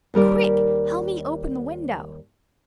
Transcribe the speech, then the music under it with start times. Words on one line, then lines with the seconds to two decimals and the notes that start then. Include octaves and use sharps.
"Quick, help me open the window."
0.14 D#2 G3 A#4 D5